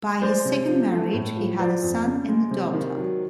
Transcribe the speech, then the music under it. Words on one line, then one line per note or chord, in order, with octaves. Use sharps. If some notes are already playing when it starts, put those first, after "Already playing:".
By his second marriage he had a son and a daughter.
G#3 C5 D5
C3
F3
A3
A2
F3
F3 C5 D5
F2
C#3
G#3
C3
D#3
F#3